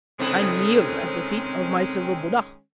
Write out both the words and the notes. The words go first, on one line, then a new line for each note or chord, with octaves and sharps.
I kneel at the feet of my silver Buddha.
C3 D#3 G#3 A3 C4 C#4 E4